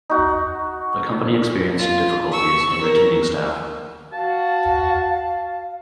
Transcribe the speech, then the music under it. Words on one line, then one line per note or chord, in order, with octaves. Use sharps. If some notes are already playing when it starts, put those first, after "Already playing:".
The company experienced difficulties in retaining staff.
D#4 F#4
F4
C#6 E6
A#4
F#4 F5 A5